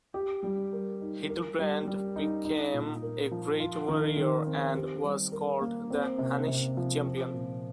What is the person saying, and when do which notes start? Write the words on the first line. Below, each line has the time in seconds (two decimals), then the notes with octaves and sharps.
Hildebrand became a great warrior and was called the Hunnish champion.
0.14 G4
0.43 G3
0.73 A#4
1.01 D#4
1.29 A#4
1.59 G3
1.87 G3
2.16 D#4
2.45 D#4
2.73 A#2
3.03 A#4
3.31 F3
3.60 F4
3.88 D#3
4.17 D#3
4.46 C4
4.75 G4
5.04 G3
5.32 A#4
5.61 A#3
5.90 C4
6.18 C3
6.47 C3
6.77 F3
7.05 C4
7.34 A#2